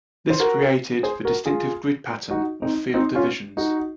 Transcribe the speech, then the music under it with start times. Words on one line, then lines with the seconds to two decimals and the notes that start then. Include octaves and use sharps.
This created the distinctive grid pattern of field divisions.
0.30 C5
0.40 F#4 A#4
1.03 G#4 C5
1.25 F#4 A#4
1.46 F4 G#4
2.30 D#4 F#4
2.62 C4 D#4
2.94 C4 D#4
3.15 C#4 F4
3.57 D#4 F#4